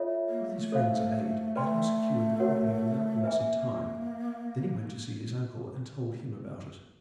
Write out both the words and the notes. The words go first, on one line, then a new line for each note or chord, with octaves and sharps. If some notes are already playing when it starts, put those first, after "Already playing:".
With his friend's aid, Adam secured the property without loss of time. Then he went to see his uncle, and told him about it.
Already playing: F4 A4 C#5 E5
A#3
A3
A4 C5 F5
A3 B4 D5 G5 C6
F#4 A#4 C#5 F#5
A#3 B4 E5 G#5